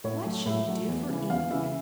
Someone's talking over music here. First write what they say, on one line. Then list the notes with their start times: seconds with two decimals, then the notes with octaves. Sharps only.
What should he do for ink?
0.04 A2 C#5
0.25 F#3 A3
0.46 A2 E5
0.68 F#3 A3
0.88 E2
1.10 C#3 E3
1.30 E2 F5
1.51 C#3 E3 E5